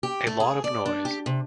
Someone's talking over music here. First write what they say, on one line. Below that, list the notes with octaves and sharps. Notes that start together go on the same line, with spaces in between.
A lot of noise.
G4
A3
G#4
D5
D4
G4
C3